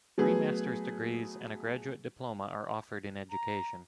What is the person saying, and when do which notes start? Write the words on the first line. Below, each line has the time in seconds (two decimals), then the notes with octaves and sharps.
Three master's degrees and a graduate diploma are offered in education.
0.18 F#3 A3 B3 G#4
3.31 A#5